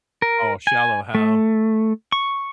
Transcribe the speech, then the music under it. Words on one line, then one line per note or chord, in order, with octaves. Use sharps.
Oh, Shallow Hal.
A#4
G#5
A3
C#6